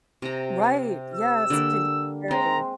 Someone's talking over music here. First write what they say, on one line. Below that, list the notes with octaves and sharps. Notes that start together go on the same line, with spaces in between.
Right. Yes, it can be scary.
C3 A#5
E6
D3 G3 A#3
G#3 C4 A#5